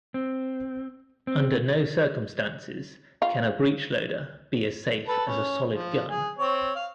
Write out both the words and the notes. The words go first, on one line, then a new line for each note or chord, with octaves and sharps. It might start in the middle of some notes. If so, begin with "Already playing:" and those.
Under no circumstances can a breech-loader be as safe as a solid gun.
C4
C4
F4
A4 B4 A5
C#4
F3
G#4
C4 C#5
F5